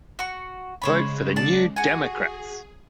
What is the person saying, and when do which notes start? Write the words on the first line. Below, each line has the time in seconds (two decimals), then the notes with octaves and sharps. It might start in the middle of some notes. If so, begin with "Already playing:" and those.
Vote for the New Democrats!
0.19 F#4 C#6
0.82 C#3 G#3 C5 C#5 B5
1.36 D5 A5
1.76 F#4 G#4 G#5